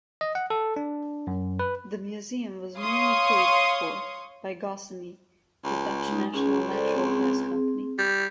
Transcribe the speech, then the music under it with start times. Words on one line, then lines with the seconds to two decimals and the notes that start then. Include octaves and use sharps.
The museum was mainly paid for by Gasunie, the Dutch national natural gas company.
0.21 D#5
0.35 F#5
0.50 A4
0.76 D4
1.27 F#2
1.59 B4
2.79 C#5 F5 C6 C#6 D#6
5.64 C#2
6.08 G#3 D#4
6.34 C#2 C#4 G#4
6.71 A4 C5 D5
6.95 C4 G#4
7.99 G3